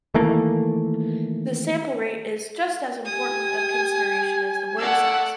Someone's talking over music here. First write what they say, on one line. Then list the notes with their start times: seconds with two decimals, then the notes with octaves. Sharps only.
The sample rate is just as important a consideration as the word size.
0.14 D#3 E3 A3 A#3
3.05 G4 G#5 D#6
4.78 A3 D5 F#5 E6